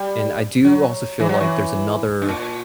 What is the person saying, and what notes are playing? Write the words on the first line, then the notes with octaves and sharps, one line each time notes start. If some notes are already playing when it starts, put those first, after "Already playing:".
and, I do also feel like there's another
Already playing: G3
F#3
E3
F#3
E3
G2
A#2